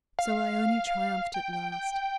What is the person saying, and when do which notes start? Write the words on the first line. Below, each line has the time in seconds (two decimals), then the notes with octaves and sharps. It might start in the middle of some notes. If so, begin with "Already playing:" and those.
So Ione triumphed at last.
0.19 F5
1.34 G5
1.53 G5
1.72 G5
1.92 G5